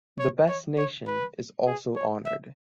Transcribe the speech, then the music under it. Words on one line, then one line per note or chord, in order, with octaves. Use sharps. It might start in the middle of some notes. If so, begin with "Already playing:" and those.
The best nation is also honoured.
C#5
C#5
C#5
B4
G#4
C#5
E5